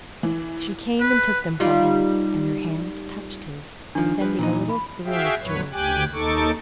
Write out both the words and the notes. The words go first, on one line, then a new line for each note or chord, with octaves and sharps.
She came and took them from him, and her hands touched his, sending a little thrill of joy through him.
E3
B4
G3 D#4 F4
D#3 F3 D4
F3 B4
A#2 E3 D#4
B5
F#4 G#4 E5 F5 G5
F2 A#2 F#3 B4 C#5
D2 G4 G5 G#5 D6 F#6
D#2 D#4 A4 C#6 D6